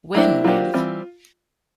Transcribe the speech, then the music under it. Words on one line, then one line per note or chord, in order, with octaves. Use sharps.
When Rev.
F#3 A#3 D4 E4 G4 C5
F#3 A#3 D4 F4 G4 C5
E3 G3 C4